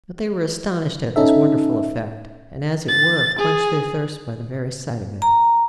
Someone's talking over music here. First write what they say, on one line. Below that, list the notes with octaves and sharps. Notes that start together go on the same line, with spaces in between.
But they were astonished at this wonderful effect; and, as it were, quenched their thirst by the very sight of it.
C#4 D#4 A4 E5
A6
G#4
A#5